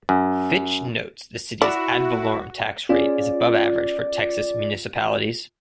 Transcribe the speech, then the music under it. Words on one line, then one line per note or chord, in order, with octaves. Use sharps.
Fitch notes the city's ad valorem tax rate is above average for Texas municipalities.
F#2
E4 F#4 D5 E5
C#4 F4 G#4 D5